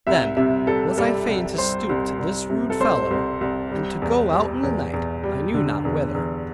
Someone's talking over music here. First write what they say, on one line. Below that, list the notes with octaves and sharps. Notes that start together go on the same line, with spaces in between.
Then was I fain to stoop to this rude fellow, and to go out in the night, I knew not whither.
C2 E5
C3 E5
G3 A4
G3 A4
C2
G3 C5
C2
C2
C3
A4
C2 C5
C2
C2
G3
E2
G3
E2
E2
G3
D3
E2
E2